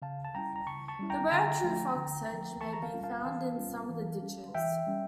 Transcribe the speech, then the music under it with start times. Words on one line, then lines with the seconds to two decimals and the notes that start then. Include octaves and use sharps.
The rare true fox sedge may be found in some of the ditches.
0.02 C#3 F5 A5
0.24 A5
0.35 G3 C#4 E4 G5 A#5
0.56 A#5
0.67 C#3 A5 C#6
0.88 A5 C#6
0.99 G3 C#4 E4
1.10 G5 A#5
1.31 D3 G5 A#5
1.64 F3 A3
1.96 D3
2.29 F3 A3
2.61 E3 A5 C#6
2.73 A#5
2.82 F5 A5
2.94 G3 C#4 F4
3.04 F5 A5
3.25 E3 F5 A5
3.57 G3 C#4 F4
3.89 E3
4.22 G3 C#4
4.54 E3 E5 G5
4.87 G3 C#4